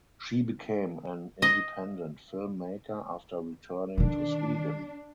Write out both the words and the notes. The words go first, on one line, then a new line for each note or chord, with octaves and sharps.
She became an independent filmmaker after returning to Sweden.
D#5
D3 D#3 D4